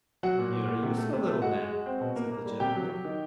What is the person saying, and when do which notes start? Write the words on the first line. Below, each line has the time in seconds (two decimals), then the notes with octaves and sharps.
"You're a useful little man," said the gentleman.
0.23 F#3 F#4 F#5
0.39 A#2
0.53 A#2
0.68 A#2
0.83 C3
0.97 A3
1.13 C3
1.27 A3
1.42 G#3 F#4 F#5
1.57 G#3
1.72 G#3
1.86 C4
2.01 B2
2.16 A#3
2.31 A#3
2.45 G3
2.60 C3 G4 G5
2.75 F#3
2.89 F#3
3.05 D#3